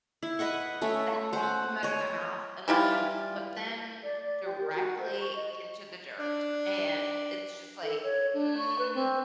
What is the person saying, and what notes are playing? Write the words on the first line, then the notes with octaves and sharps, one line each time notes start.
That won't come out of their mouth unless you put them directly into the dirt. And it's just like, mm,
E4
B4 D#5 F#5 C#6
A3 C#4 E5
C5 F#5
C#5 D#5
E3 G3 E4 F4
D5
D5
G4
A#4
F#4
C5
C#6
D#5
D4
A4
C#5
D4
C#6
B4
C4